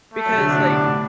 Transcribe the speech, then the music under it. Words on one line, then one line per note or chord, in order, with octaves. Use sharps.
because like
A3
F#3
C3
D3
C3 D4
A2
B2
A2